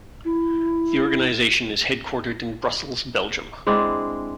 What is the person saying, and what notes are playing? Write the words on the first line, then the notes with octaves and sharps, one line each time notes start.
The Organization is headquartered in Brussels, Belgium.
E4
G#3 C4 D4 E4